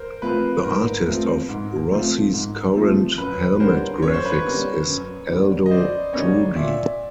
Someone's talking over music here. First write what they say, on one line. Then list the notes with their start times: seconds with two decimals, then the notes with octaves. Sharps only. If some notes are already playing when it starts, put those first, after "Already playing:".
The artist of Rossi's current helmet graphics is Aldo Drudi.
Already playing: A#4 C5
0.22 F3 A3 C4 F4 B4
0.64 G#2 A#4
1.06 F3 A3 C4 F4
1.49 G#2
1.91 F3 A3 C4 F4
2.33 G#2
2.75 F3 A3 C4 F4
3.18 F#2 B4
3.60 D3 G3 A#3 C#4 A#4 C5
4.02 F#2 C#5
4.14 C5
4.25 B4 C#5
4.45 D3 G3 A#3 C#4
4.87 F#2
5.29 D3 G3 A#3 C#4
5.66 D#5
5.71 F#2 C5 D5
6.13 D3 G3 A#3 C#4 C#5 D#5
6.55 A#2 D5 E5